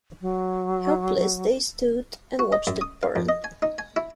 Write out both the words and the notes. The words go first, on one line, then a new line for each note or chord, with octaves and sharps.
Helpless, they stood and watched it burn.
F#3
F#4
D#5
F#2
D#6
F5
F2
D#5
G#5
D#4
G#5
E4